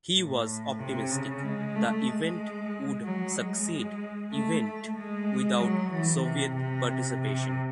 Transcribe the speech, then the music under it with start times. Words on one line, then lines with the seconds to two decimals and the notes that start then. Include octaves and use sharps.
He was optimistic the event would succeed event without Soviet participation.
0.16 A2
0.79 C3
1.11 C#3
1.43 G#3
1.76 A3
2.08 G#3
3.04 F#3
3.35 G#3
4.31 A3
4.64 A3
4.96 G#3
5.60 F#3
5.91 E3
6.24 C3
6.56 C3
7.21 C3